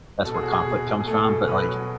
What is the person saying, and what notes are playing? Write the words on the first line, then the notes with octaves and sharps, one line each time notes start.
that's where conflict comes from, but like
B2 A4
G#4
B2 F#4
G#4
B2
B2
G#4
A3 A4
B2
B2 B4
F#3